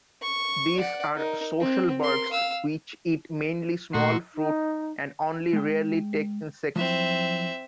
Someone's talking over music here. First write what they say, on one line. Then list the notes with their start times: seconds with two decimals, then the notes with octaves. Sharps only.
These are social birds which eat mainly small fruit and only rarely take insects.
0.22 C#6
0.77 D5 F#5
1.15 D#4 A#4
1.60 C4
2.00 A#4 C6
2.31 F5 E6
3.93 A#2 A3 D#4 F#4 C6 C7
4.35 D#4
5.53 G#3 G5
6.76 F3 F#3 C4 E4 E5